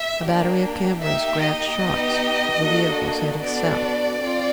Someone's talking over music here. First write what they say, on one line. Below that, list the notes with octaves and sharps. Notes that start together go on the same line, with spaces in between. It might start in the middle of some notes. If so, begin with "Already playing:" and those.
A battery of cameras grabbed shots of the vehicles heading south.
Already playing: E5
A#3 D4 G4
A#3 D#4 G4 E5
D#5
B3 D#4 G4
A#3 D4 F#4 A4
B3 D4 F#4 A4 D5
C4 F4